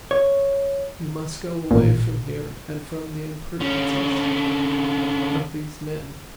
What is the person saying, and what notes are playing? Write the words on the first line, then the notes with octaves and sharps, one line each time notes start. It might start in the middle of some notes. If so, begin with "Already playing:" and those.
You must go away from here and from the impertinences of these men.
C#5
A1 A#2
D3 C#4